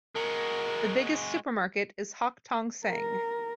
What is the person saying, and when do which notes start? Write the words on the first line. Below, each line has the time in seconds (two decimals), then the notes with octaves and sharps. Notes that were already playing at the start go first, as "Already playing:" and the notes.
The biggest supermarket is Hock Tong Seng.
0.15 G#3 F#4 A#4
2.87 A#4